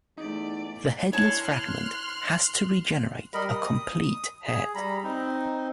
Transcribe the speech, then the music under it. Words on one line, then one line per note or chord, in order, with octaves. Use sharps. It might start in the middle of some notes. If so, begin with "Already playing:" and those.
The headless fragment has to regenerate a complete head.
E2 A3 D#4 D5
E4 C#5 A5 C6 F6 F#6
G3 A#4 D#5 B5
D#6
G#4
G3 A#5 B5
C4 D#4